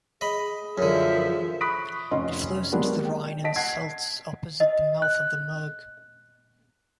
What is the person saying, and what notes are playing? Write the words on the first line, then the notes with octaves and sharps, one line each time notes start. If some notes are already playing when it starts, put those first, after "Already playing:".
It flows into the Rhine in Seltz, opposite the mouth of the Murg.
G#4 D#5 B5
F#2 D3 E3 F3 E5
B5 C#6 D#6 F#6 B6 D7
F1 C#4 D#5 C6
F#3 G#3 A#3 B3 D4 G4
G5
D#5 A5 B6 D7
F#5 A5 G#6 C7
D#5
F#6